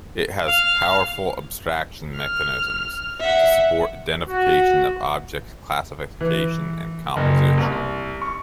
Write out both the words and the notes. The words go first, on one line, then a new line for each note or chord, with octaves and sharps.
It has powerful abstraction mechanisms to support identification of objects, classification and composition.
F5
F6
E5 F#5
F#4
E3
F#1
C2
C#6